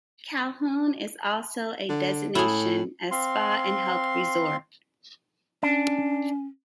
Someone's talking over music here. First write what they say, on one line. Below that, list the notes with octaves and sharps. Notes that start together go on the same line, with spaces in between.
Cahul is also a destination as spa and health resort.
D3
A2 E4 G#4
C4 F5 C6
C#4 D4